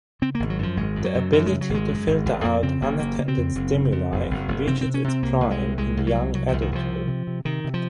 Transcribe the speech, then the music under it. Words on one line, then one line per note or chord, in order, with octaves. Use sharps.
The ability to filter out unattended stimuli reaches its prime in young adulthood.
C#3 C4
G#1 A#3
F#3
F#2 F3
G#1 G#3
F#2
F#3
F#2
F#2 F#3
G#3
C#3
F#3
G#1
G#3
F#2
G#1
G#1
F2 A#3
C#3 C4
F#1 A#3
C#3 A#3
C#3
C4
F2
F#1
C#3
F2
F#1
F#1
F#1
C3 C4
C3 C4
C#4
C3 C4
C2 A#3
C2
G#3
C3
C2 G#3
C2
F#3
C2
C2 F#3
C2 F3
D#3
C2 F3
C3
C3
C3
C3 D#3
C3
F3